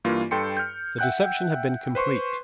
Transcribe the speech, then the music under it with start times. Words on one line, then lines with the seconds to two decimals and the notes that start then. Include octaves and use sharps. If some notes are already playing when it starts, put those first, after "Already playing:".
The deception had been complete.
0.05 G2 E3 A#3 F4
0.31 G2 A4 G5 C6 C#7
0.57 F6 G6
0.99 E5 F#5 G5 F#6 G6
1.95 B4 C5 C6 C#6